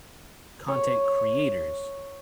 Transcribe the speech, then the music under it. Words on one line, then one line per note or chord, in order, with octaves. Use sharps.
content creators
C#5